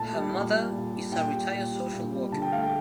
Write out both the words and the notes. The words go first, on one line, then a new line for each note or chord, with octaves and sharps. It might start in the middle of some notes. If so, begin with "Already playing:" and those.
Her mother is a retired social worker.
Already playing: A#2 A3 A5
G3
A#2
G3
A#2
G3
A#2 G5
G3
A#2
G3
A#2
G3
D3 A5
G5
A3 F5
G5